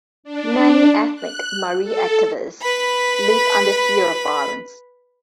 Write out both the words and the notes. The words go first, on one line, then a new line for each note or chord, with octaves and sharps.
Many ethnic Mari activists live under fear of violence.
D4
F#6
A4
B4 B5